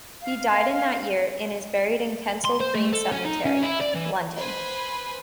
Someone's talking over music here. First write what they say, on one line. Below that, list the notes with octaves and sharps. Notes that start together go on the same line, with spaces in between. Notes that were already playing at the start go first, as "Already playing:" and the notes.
He died in that year and is buried in Kensal Green Cemetery, London.
F5
C6
C5
A3
A4
C#4
D#4
C#4
E4
D5
E3
B4 C5 G#5